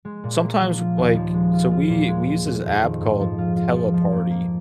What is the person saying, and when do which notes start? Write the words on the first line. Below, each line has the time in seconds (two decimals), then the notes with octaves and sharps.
sometimes, like so, we we use this app called Teleparty.
0.05 G#3
0.24 A#2
0.41 A#3
0.60 F3
0.79 F4
0.97 D#2
1.15 F3
1.34 G#3
1.53 F4
1.71 F4
1.89 A#2
2.08 G#3
2.27 G#3
2.46 A#2
2.64 F2
2.82 D#3
3.01 G#2
3.20 F3
3.38 F4
3.56 F4
3.75 F3
3.94 F3
4.12 A#3
4.30 A#3